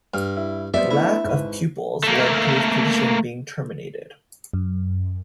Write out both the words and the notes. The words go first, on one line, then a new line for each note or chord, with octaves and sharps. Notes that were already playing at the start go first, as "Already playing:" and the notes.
Lack of pupils led to his position being terminated.
G2 F6
E4
G3 B3 C5 D5 E5
A3 B3 D4 E4
G#1 B4
A3 A#3
F#2